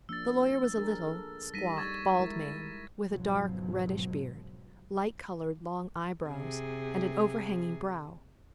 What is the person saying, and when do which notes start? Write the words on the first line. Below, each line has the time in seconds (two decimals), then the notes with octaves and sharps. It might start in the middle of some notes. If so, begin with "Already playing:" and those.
The lawyer was a little, squat, bald man, with a dark, reddish beard, light-colored long eyebrows, and an overhanging brow.
0.09 F3 A#3 D4 E6 A6
0.77 D4 G#4 A#4
1.07 A4
1.54 G3 D#4 A#6 B6 D#7
1.77 C#6 G#6 A6
2.20 G#3 E4 A#4
3.10 G#1 C#2 B2 F3 F#3
6.27 C3 G#4